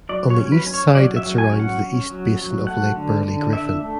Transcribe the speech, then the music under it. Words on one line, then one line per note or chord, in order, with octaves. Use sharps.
On the east side it surrounds the East Basin of Lake Burley Griffin.
F#3 D5
C#5
C#4
B4
C#4
C#5
F#3 D5
E5
F#3
G#5
C#4
F#5
C#4
F#3
F#3
A3 F#5
D3
D3
D4 E5
A3